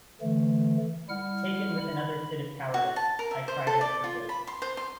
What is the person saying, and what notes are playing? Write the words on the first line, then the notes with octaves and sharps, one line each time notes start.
Taken with another fit of cowardice, I cried out for Joseph.
D3 E3 A3
G3 E4 F#5 F6
B5
F#4
A5
A#4
E5
C5
A4
D5
F4
B5
C6
C5
C6